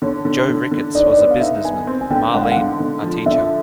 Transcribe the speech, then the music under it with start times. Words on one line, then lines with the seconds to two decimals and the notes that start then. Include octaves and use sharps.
Joe Ricketts was a businessman; Marlene, a teacher.
0.02 D3 C#5
0.25 D3
0.49 D3
0.71 D3
0.95 D#4 D5
1.03 C#5
1.12 D5
1.18 B3
1.31 F5
1.41 D#4 E5
1.64 B3 G#5
1.87 C4
2.01 G#5
2.10 D3 G5
2.33 G#3 F#5
2.42 F5
2.52 D3 F#5
2.80 D3
3.03 F3
3.26 D3 E5